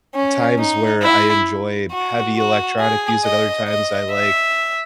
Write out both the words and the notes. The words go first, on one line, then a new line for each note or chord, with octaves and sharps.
times where I enjoy heavy electronic music, other times I like
C#4
D#4
E4
F#4
F#4
G#4
D#5
D#5
E5